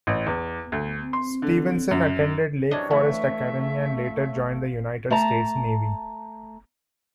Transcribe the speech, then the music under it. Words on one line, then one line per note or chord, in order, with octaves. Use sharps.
Stevenson attended Lake Forest Academy and later joined the United States Navy.
A1
E2
D2
C6
D3
F#2
F#2 C3 E3 D4 C#5 D#5
E3 A3 F4 A4 C#5 E5
A3 A5 A#5